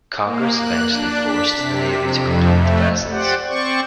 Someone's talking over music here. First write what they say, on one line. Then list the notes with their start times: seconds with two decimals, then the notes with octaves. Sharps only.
Congress eventually forced the Navy to complete the vessels.
0.24 A#3
0.56 F#6
0.91 D4
1.25 B6
1.56 C3
2.01 F2
2.49 A3
3.10 G4 C5 D5 F#5
3.47 C4 C5 D5 C#6